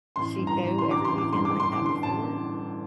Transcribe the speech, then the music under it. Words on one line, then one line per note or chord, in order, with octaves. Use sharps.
she go every weekend like that before?
A1 C6
G2
A#5
A1
C6
D3
D6
A1 C6
D6
G2 C6
D6
A1 C6
D6
D3
C6
A1 A5